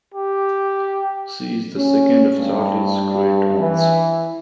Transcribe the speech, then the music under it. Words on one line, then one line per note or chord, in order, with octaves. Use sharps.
She is the second of Charlie's great-aunts.
G4
C#4
G2
E3